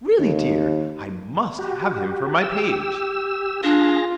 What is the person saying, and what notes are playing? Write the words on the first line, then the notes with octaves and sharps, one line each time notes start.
Really, dear, I must have him for my page.
D#2
F#4 G4
G4 E6
D4 F4 G#4 A#6